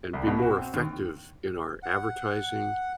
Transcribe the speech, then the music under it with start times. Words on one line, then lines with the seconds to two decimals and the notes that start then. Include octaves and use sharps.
and be more effective in our advertising
0.13 C2
0.27 B2
0.42 F#4
0.57 C4
0.73 D#2
1.83 F#5